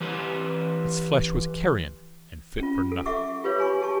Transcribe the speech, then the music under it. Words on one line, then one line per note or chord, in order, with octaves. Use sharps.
Its flesh was carrion, and fit for nothing.
E3 G4 B4
C#4 F4
A4
E5 F#5 C#6 D6
F4 G4 B4 C#5 F5
C#5 G#5 B5 C#6
G4 A5 C#6